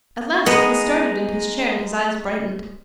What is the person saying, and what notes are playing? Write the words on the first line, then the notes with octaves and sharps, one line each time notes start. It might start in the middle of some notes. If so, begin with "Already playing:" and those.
At last he started in his chair, and his eyes brightened.
G#3 B3 D#4